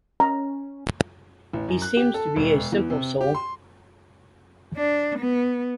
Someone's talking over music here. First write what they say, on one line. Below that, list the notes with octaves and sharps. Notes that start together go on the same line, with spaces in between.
He seems to be a simple soul.
C#4 A#5
A1
F#2
F#6
G4
A4
E1
E2
C3
G4
C6
D4
B3